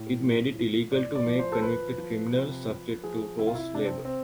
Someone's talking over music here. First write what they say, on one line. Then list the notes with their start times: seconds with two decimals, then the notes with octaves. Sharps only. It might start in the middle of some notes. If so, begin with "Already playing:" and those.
It made it illegal to make convicted criminals subject to forced labor.
Already playing: A2
0.20 F3
0.55 F3
0.91 A2 D5
1.15 D5
1.27 F3
1.39 C5
1.52 A4
1.62 F3 B4
1.98 F3
2.33 C3
2.68 F3
3.03 F3 G#4
3.39 C3 E4
3.47 F4
3.55 E4
3.75 C3 D4
3.85 C4
4.05 C4